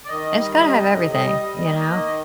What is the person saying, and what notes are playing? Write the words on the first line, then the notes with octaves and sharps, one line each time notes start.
it's gotta have everything, you know,
D5
D#3 D#5
G3
C3
A2
G3
G3
A#3
D#3